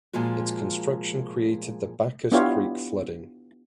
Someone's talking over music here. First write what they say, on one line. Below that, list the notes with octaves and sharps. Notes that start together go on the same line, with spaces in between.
Its construction created the Backus Creek Flooding.
A#2 F3 G#3 F4 F#4
B3 D4 E4 F4 G4 C#5